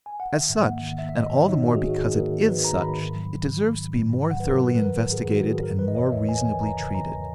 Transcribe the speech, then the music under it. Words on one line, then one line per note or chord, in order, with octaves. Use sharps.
As such, and all the more because it is such, it deserves to be more thoroughly investigated and more reasonably treated.
G#5
F#5
D#3 E5
G#2
A#3 F#5
D#3
A#3 E5
E5
G#2 D#5
D#3 C#5
D#3 D#4
G#2 F#4
G#4
G#2 F#4
D#3 G#4
A#3 A#4
D#3
D#3 B4
G#2 A#5
D#3 B5
G#2
F#3
G#2
D#3
G#2
G#2
G#2
G#2
F#3 F#5
B4
F#3 A#4
G#2 B4
B4
D#3 A#4
G#2 A#4
F#3 G#4
D#3 F#4
G#2 G#4
E3 A#4
E3 B4
D#5
E2 C#5
E2 E5
E2 G#5
E3 G#5
E2 A#5
C#3
E2 A#5